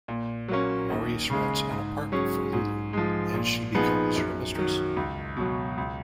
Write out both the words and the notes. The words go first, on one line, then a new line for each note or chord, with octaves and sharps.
Maurice rents an apartment for Lulu and she becomes her mistress.
A#2
F#3 A#3 C#4
D#2
C#3 G#3
G#2
F#3 C#4 G#4
G#2
F3 G#3
A#2
F3 B3 D#4 G#4
F#2
D#3 F#3
C#2
B2 F#3
C#2